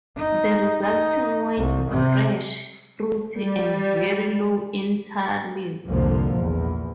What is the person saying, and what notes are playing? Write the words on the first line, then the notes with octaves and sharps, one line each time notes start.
The resulting wine is fresh, fruity, and very low in tannins.
D#4
D#4
C2
C3
G3
C2 F2 G#2 D3 F3 A#3
A#1 E2